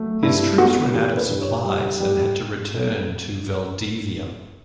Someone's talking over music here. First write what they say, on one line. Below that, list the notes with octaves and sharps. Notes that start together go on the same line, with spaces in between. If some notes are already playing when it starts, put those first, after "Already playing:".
His troops ran out of supplies and had to return to Valdivia.
Already playing: F#3 A3
G2 E4
B3 F#4
E3 G4
B4
G2
C#5
G3
G3